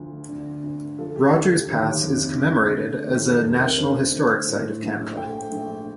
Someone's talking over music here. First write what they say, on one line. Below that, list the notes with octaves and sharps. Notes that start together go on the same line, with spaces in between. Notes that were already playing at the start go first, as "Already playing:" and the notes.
Rogers Pass is commemorated as a National Historic Site of Canada.
Already playing: D2 F3
D3
D2
F3 A4
G4
D2 A4
G4
D#2
F1
D3
A3
D#2 G4
A4
F1 A#4
A#4
D3 C5
A3
A2
A#1
A3 G5
A#1